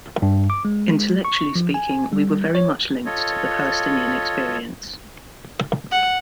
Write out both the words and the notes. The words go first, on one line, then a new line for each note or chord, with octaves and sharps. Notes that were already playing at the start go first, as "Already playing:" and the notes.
Intellectually speaking, we were very much linked to the Palestinian experience.
G2
D6
G#3
C#6
F3
G#5
G3
C#5
F4 A4 C#5 D#5
F#5